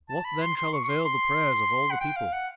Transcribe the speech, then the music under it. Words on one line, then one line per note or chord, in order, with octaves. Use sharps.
What, then, shall avail the prayers of All the People?
A5
B5
C6
C6
C#6
C#6
C6
C6
F#5
G5
F5
F#5